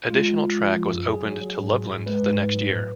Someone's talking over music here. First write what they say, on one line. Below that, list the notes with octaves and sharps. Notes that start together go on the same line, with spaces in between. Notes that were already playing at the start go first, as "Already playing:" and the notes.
Additional track was opened to Loveland the next year.
G#3 F4
G#3
G#3
F3
F3
F#2
F#3 G#4
F#3
F#3
G#2
F#3
G#2
G#3 B4
G#2
G#2
F#3
A2